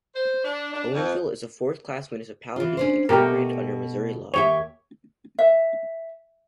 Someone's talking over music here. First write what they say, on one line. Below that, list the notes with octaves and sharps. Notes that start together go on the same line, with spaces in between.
Owensville is a fourth-class municipality incorporated under Missouri law.
C5
D4
D4
F2
E3 F4
C#4 D4 C5
B2 A3 G4 A#4
D#2 G4 C#5 E5
E5